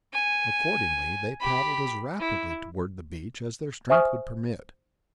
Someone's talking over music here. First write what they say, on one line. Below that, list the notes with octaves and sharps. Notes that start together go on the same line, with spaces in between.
Accordingly they paddled as rapidly toward the beach as their strength would permit.
G#5
G4 B5
E4
C5 E5 G#5 C#6 D#6 F6